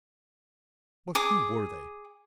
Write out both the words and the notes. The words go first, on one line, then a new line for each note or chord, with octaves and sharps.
But who were they?
G#4 D6